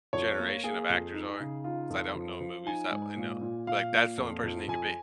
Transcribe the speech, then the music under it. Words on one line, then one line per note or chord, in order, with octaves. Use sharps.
generation of actors are, 'cause I don't know movies that, you know, like, that's the only person he could be.
F2 C#5
A#3
A#3 G#4
F2
D#4
C#3
D#4 F4
F2
F3
F3
D#4 G#5
G#2
A#2
A#2
A#2 F5
A#2
F2
F2
F2 G#5